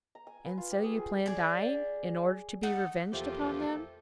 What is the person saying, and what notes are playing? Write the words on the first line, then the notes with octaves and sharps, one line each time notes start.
'And so you plan dying, in order to be revenged upon them!'
A#5
G#5
B4
F4
G4
G#4
G#4
G#4 D5
A3 D#4 F#5
E2 F3 A#3 G4 A4 C5 E5 G5